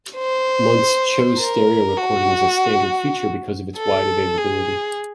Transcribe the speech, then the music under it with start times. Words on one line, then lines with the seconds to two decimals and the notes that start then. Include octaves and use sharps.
Muntz chose stereo recording as a standard feature because of its wide availability.
0.18 C5
1.38 A#4
1.98 F#4
3.77 A4
4.38 G#4